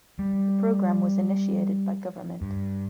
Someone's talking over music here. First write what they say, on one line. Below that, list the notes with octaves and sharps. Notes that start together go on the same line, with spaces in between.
The programme was initiated by govt.
G3
G2